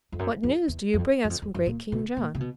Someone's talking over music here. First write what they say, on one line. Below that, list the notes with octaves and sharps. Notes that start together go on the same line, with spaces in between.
"What news do you bring us from great King John?"
F2
F#2
F2
E2
F2
F#2
F2
F2
F#2
A#2
B2
A#2
C3
B2